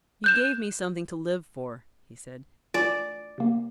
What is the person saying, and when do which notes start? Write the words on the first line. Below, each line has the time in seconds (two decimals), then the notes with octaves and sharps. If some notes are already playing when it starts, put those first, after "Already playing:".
"You gave me something to live for," he said.
0.24 F#6 G6 E7
2.74 F4 D5 G#5
3.38 C3 A#3